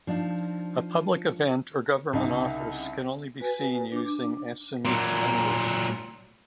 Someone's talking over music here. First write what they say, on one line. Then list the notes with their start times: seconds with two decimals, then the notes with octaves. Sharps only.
A public event or government office can only be seen using Assamese language.
0.07 F3 D4 D#4 F4
2.13 C2 C#3 D#4
3.40 F#4 B4 G#5
3.92 D4 D6
4.85 A#2 F#3